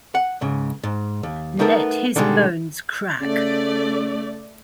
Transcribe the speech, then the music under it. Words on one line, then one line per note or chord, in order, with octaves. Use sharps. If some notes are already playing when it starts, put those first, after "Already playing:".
Let his bones crack.
F#5
C#2 G#2 C#3
G#2
D#2
A3 B3 D#4 A4 A#4
B2 D3 D#3 F3 G3 G#3
C#3 A3 D5